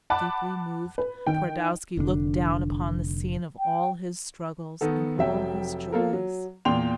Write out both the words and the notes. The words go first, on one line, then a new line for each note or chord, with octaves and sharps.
Deeply moved, Twardowski looked down upon the scene of all his struggles and all his joys.
F#5 A5 B5 D6 F#6
B4
D#3 G5
F1 D3 C4 D4
G5
D#3 B3 A4
F1 F#3 E5 G5
A#3 F4 A4 A#4
F#3
E2 A#2 G5 C6 F7